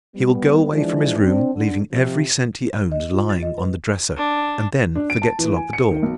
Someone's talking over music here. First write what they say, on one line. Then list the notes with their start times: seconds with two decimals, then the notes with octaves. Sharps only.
He will go away from his room leaving every cent he owns lying on the dresser--and then forget to lock the door!
0.15 G3 B3
0.71 E3 F3 G#3 D4
1.20 C4 D4
1.54 D3
1.92 C3 F3
2.92 D#5
3.13 F4
3.29 A6
3.42 D#5
3.58 B4
4.17 D4
4.95 D4
5.10 D7
5.22 A5
5.39 E3
5.56 G#5
5.73 C#7
5.91 D#3
6.03 B1